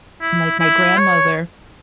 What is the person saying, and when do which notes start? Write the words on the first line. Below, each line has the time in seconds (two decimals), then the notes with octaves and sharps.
my my grandmother
0.21 E4
0.60 E4
0.98 C#5